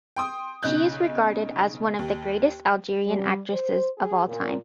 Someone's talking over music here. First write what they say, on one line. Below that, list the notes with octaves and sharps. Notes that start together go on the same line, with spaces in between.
She is regarded as one of the greatest Algerian actresses of all time.
G5 C6 D#6
B1 C#3 D#4 F#6 G6
D#2
G3
C5
G#4
A#2